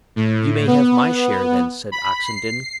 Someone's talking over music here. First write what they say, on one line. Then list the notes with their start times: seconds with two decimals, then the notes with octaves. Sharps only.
"You may have my share, then," said Oxenden.
0.16 A2
0.67 B3
1.92 B5
2.25 C7